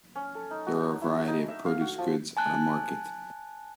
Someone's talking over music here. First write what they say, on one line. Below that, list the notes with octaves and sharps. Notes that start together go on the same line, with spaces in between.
There are a variety of produce goods at a market.
C#4
A4
D#4
F#4
E4
D#4
E5
F5
F#4
F3
G#5 A5 F#6